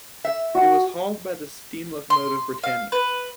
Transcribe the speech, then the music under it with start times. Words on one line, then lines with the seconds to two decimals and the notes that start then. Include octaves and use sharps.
It was hauled by the steam locomotive "Britannia".
0.25 E5
0.55 F#4
2.10 C6
2.63 F5
2.92 B4